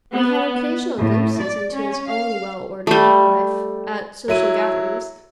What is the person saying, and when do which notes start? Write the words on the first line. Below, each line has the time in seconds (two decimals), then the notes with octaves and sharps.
We had occasional glimpses into his own well-ordered home-life, at social gatherings.
0.14 B3
0.98 A2
1.42 D5
1.73 C#4
2.07 F5
2.87 G3 A3
4.28 F#3 E4 D#7